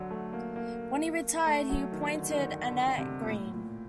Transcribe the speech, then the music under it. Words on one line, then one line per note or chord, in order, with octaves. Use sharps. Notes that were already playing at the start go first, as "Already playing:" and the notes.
When he retired he appointed Anette Greene.
Already playing: D3 F#3
A3
A#3
A#3
A3
F#3
D#3
D3
D#3
D3
D3
D3
C3
A#2
A2
A#2